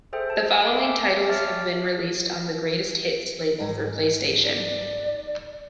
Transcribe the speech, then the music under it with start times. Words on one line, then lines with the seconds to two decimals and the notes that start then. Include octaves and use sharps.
The following titles have been released on the Greatest Hits label for PlayStation.
0.13 G#4 A4 C5 E5 G5
0.30 A5
0.62 A4 E5 G#5 B5 D7
0.76 E5 F5 G5 A5 C6 D6
1.29 C#5 E5 A5 D6 F6 A6
3.60 G#2
4.43 D5